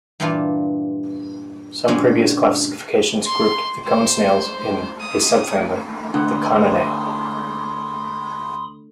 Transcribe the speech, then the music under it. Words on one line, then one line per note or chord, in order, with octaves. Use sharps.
Some previous classifications grouped the cone snails in a subfamily, the Coninae.
G2 A#2 E3 D4 F4
G2 A#2 D3 G#3 C#4
C6
C5
D#6
D2 D4 F#5 B5 C6 D#6